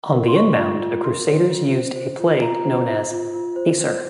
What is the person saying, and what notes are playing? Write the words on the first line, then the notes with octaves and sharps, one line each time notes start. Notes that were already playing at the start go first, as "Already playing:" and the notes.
On the inbound, the Crusaders used a play known as "Pacer".
A#4
C6
C#5 C#6
F4
F4
A#4 C6
C#5
F4
C5
C5
F4
F4 A#5
C5
C5
F4
F4
C5
C5